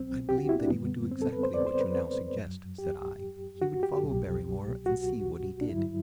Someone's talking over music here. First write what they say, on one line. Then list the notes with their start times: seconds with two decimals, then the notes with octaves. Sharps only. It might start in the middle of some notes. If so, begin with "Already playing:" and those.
"I believe that he would do exactly what you now suggest," said I. "He would follow Barrymore and see what he did."
Already playing: C2 B2 F#3 C4
0.29 G4
0.38 F#4
0.49 E4
0.59 D4
0.70 F#2 D3 G3 B3
1.11 C4
1.22 A4
1.32 B4
1.43 C5
1.54 D5
1.67 C5
1.81 B4
2.36 F#2 F#3
2.78 G4
3.62 F#4
3.83 G4
4.04 C2 B2 F#3
4.86 F#4
5.61 D4
5.69 G2 D3 F#3 E4